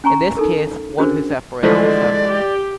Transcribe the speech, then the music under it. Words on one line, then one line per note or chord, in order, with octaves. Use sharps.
In this case, "one who separates itself".
C#4 G#5 A#5 C#6
D#4 A4 A#4
C#4 D4 F#4 G#4 A#4 C5
D3 E3 F3 G#3 A3 D5
G4